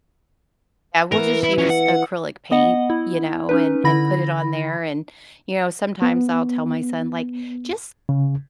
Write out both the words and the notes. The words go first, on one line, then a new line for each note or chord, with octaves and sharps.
Yeah, we'll just use acrylic paint, you know, and and put it on there, and, you know, sometimes I'll tell my son, like, "Just
E3 B3 A#4
E4
G3 C#4
F#5
B3 D#5 F#5
E4
C#4 D#4 B4
D3 E4 B5 A#6
B3
C#3